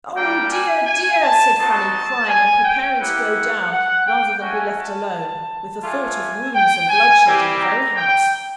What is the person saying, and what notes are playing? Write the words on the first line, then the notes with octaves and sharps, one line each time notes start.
'Oh, dear, dear!' said Fanny, crying, and preparing to go down rather than be left alone, with the thought of wounds and bloodshed in the very house.
G3 A#3 D4 G4 G5
G#5
G#5
A5
C4 D#4 F#4 A5
G#5
G5
A#3 C#4 E4 G4 F#5
F#5
G5
A3 C#4 F#4 G#5
A5
A3 D4 F4 G#5
G5
G#5
G3 C4 E4 G4
A#5
G5